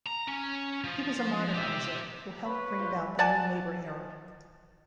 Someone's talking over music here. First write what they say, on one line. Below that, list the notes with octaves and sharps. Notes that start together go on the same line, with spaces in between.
He was a moderniser who helped bring about the New Labour era.
A#5
C#4
F3
G4 E5
B4 C#5 B5
F4 C5
D5 F#5 G#5 A5